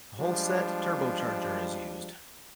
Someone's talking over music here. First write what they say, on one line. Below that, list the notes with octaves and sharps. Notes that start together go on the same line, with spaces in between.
A Holset turbocharger is used.
F3 G3 G#3 D4